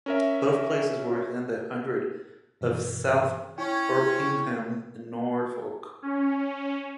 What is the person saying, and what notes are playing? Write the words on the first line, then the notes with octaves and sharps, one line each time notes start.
Both places were within the hundred of South Erpingham in Norfolk.
C#4 A#4 E5
G2 B2 E3
C#4 E4 C#5 G5
C#4